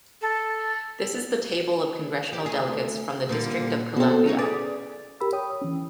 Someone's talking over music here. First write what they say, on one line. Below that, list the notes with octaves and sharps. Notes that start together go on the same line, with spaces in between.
This is the table of congressional delegates from the District of Columbia.
A4
G4
D2 G#4
A#2 D3 G3
B2 C4 F#4 A4
C#3 F#3 D#4 C#5
G#4 B4 D5
G4 A#4 B5 E6
C#5 G5 D#6
E3 C#4